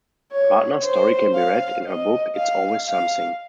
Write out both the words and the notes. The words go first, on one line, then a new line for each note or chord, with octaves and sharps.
Radner's story can be read in her book, "It's Always Something".
C#5
C5
F5
D#5
F5
F5